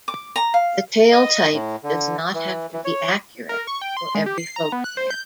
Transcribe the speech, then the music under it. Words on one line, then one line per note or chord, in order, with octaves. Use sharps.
The tale type does not have to be accurate for every folktale.
D6
A#5
F5
D#5
A2
D3
E3
E3
C#5
A#4
C#6
G5
C6
G#3
G4
C7
A#5
B3
F#6
C5
G6